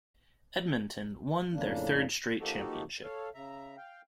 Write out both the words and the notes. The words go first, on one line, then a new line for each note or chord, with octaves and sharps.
Edmonton won their third-straight championship.
F2 A2 C#3 A#3 D4
F3 A#3 D#4 F#4 G4 A4
A4 C#5 F5
C#3 E5 A#5
F5 G5